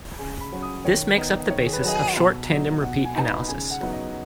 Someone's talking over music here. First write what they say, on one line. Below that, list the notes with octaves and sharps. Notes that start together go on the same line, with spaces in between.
This makes up the basis of short tandem repeat analysis.
C#3 G#5
B5
F#3 C#4
D#6
D#3 C#5
B3 D#4
D#3 C#5
G#4
B4
C#5
F#3 D#4 D#5
F#5
B2
F#3 D#4
B2 F#5
G#5
B3 D#4
B5
C#3 G#5
F#5
F#3 B3 D#4
D#5